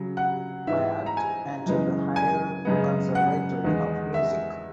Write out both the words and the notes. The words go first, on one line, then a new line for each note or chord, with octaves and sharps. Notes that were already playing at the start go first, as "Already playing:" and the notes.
Bayat entered the Higher Conservatory of Music.
Already playing: C#3 F#3
F#5
G#2 E3 B3 E5
A#5
G#5
F#2 C#3 E3 G#3 B3
G#5
F#2 C#3 G#3 B3
F#5
E2 D#3 G#3
E5